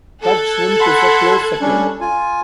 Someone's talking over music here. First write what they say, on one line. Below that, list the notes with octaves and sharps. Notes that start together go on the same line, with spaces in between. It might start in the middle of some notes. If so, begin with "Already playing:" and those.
Cut shrimp is a close second.
A4 F#6 G#6
F#5 B5 C6
G3 C#4 D4
F4 G#5